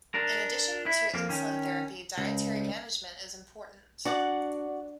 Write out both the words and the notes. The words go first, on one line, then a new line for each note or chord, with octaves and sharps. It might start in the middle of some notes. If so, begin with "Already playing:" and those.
In addition to insulin therapy dietary management is important.
D4 A#4
E4
F2 A#3
D#3 C#4
C#2
D4 F#4 D5 F#5